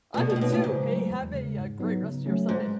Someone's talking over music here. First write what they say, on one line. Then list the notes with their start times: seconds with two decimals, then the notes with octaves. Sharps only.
I did too. Hey. Have a, uh, great rest of your Sunday.
0.14 A2
0.17 B2 G#3
0.30 B2
0.36 A2
0.41 B2 D#4 F#4 C#5
0.52 A2
0.64 G#2 C#3
0.88 F#3 A3
1.10 E2
1.33 C#3 G#3
1.57 G#2
1.80 F#3 B3 D#4
2.03 C#3
2.26 F#3 A3 C#4
2.49 G#2 G#3